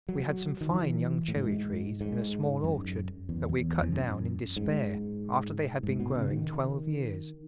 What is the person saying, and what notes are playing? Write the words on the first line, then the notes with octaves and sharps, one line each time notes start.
We had some fine young cherry-trees in a small orchard that we cut down in despair after they had been growing twelve years.
F#3
D#3
E3
A2
G#2
G#2
F#2
E2
E2
E2
F#2
G#2
G#2
B2
C#3
D#3